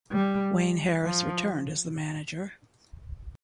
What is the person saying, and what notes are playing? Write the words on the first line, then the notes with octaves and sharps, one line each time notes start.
Wayne Harris returned as the manager.
G3
F3